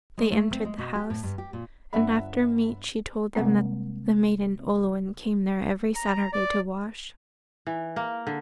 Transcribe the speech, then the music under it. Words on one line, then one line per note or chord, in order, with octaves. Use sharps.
They entered the house, and after meat she told them that the maiden Olwen came there every Saturday to wash.
G#3
A3
C4
G#3
B2
G4
A2
G2
G4
A#2
G1 D4 E5 F#5 B5
C3 G3 G#3 A#3 C4
A#5
D5
E3
A#3
D3